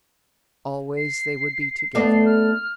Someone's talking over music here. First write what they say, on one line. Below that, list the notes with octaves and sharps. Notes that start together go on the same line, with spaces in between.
Always they would be together.
C7
A3 B3 D4
F6